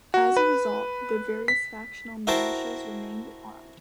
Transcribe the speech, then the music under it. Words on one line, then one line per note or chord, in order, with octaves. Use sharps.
As a result, the various factional militias remained armed.
F#4
B4
B6
E4 F#4 A#4 C5 G5 A5